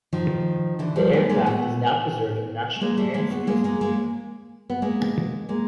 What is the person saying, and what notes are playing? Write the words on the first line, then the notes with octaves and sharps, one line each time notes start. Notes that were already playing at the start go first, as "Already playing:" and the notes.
This aircraft is now preserved in the National Air and Space Museum.
D#3 F3
D3 E3
F3 G3
G#3 A#3
G#3 A#3
A3 B3
A3
G#3 A#3
G3 A3
G#3 A#3
A3 B3
G#3 A#3
G#3 A#3
G#3 A#3
B3
G#3 A#3
G#3 A#3